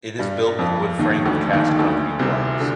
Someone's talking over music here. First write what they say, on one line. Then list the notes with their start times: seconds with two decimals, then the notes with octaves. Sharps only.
It is built with wood frame and cast concrete blocks.
0.19 G2 G3
0.59 F2 F3
0.99 D#2 D#3
1.26 D2 D3
1.53 D#2 D#3
1.79 D2 D3
2.19 C2 C3
2.60 D3